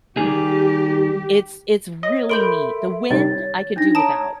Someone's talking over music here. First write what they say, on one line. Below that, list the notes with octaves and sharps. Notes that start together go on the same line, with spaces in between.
It's it's really neat. The wind, I could do without,
D#3 G3 G4 G#4
C#5 D#5
A4 A#4 E5 B5 C6 G6 D7
C3 D#3 G3 C#5 A6
D4 D#4 A#6
C#5 A5 A#5 D#6 D7